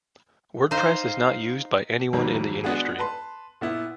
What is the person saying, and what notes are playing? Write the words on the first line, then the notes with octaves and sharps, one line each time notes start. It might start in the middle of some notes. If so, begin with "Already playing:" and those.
Wordpress is not used by anyone in the industry.
D#4 C5 F5
F2 D#3 F#3 G3 A#3
G#3 B3 D4 F#4 G#4
B4 A5 C6
A#2 B3 E4 F4